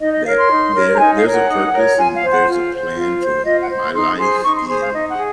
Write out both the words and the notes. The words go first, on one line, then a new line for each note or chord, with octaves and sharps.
that there there's a purpose and there's a plan for my life and,
D#4 D#5
D#5
A#4 C#5 F5
C6
D#4
A#4 C#5
A#5
D#4 G#5
F5
A#4 C#5
F#5
D#4
A#4 C#5
F4 G#5
F5
C5
F#5
F4
C5
F4
C5
F4 D#5
F#5
C5
C6
D#4 C6
G#4 C5 C6
D#4 C#6
C6
G#4 C5 C6
F5
D#4 D#5
F#5
G#4